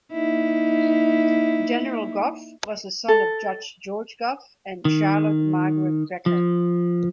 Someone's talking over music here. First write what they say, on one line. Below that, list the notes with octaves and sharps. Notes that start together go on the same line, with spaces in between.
General Gough was the son of Judge George Gough and Charlotte Margaret Becher.
A#3 D#4 E4
A4
D#3
F3